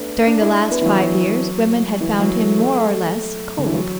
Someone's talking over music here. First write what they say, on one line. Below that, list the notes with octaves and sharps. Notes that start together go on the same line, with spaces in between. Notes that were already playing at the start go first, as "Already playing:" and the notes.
During the last five years women had found him more or less cold.
Already playing: A3 B3 D4
D4
E4
B3
E3
F#3
E3
F#3
A3
A3
D3
E3
F#3